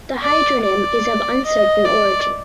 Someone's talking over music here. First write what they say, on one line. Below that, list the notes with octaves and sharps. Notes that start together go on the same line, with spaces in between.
The hydronym is of uncertain origin.
D5
D5
D#5
D5